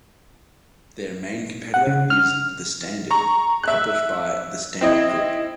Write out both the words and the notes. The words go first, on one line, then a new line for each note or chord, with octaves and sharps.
Their main competitor is "The Standard", published by the Standard Group.
F#5
C#3
F6
A#5 C#6
E5 F#6
C4 E4 D#5